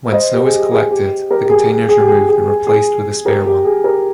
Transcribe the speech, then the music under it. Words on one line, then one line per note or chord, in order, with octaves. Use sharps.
When snow is collected, the container is removed and replaced with a spare one.
C5 D#5
G4
G#4
G4
G#4
G4
G4 A#4
G4
G#4
G#4
G#4
G4
G#4
G#4
G#4
G#4
G4 A#4
G4
G#4
G4 A#4